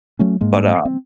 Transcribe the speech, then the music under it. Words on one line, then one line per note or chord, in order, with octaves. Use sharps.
but, um,
F#3 A3 C#4
G#2 G#3 A#3
C4